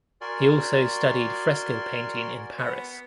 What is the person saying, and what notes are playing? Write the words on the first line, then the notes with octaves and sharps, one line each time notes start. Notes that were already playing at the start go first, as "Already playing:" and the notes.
He also studied fresco painting in Paris.
F#4 A#4 D5 G#5 C6
B3